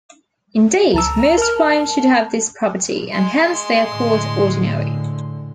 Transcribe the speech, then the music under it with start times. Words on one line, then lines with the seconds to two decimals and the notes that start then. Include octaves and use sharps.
Indeed, most primes should have this property, and hence they are called ordinary.
0.94 C#2 A5 A#5 E6
1.38 A#4 A5 F6
3.11 G#3 C6
3.90 A2 D3